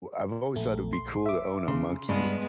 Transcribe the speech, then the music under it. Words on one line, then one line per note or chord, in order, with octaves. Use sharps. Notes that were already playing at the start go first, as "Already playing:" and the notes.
w I've always thought it'd be cool to own a monkey.
A#1 A3
C6
E5 D6
C#3 C6
G2 G#3 B3